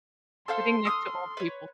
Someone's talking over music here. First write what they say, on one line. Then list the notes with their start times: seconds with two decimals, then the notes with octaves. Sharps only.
Sitting next to old people.
0.48 A4 C5 F5 C6
0.85 A4 D#6 F6
1.37 B4 C#5